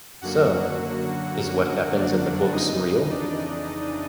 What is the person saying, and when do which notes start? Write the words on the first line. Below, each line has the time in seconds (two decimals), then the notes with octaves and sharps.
So: is what happens in the books real?
0.21 F#2 D3 F#3 A#3 F#4 F#5
1.37 F#4 F#5
1.66 F#4 F#5
1.94 D4 D5
2.52 F2 C#3 E3 D#4 D#5
3.10 D4 D5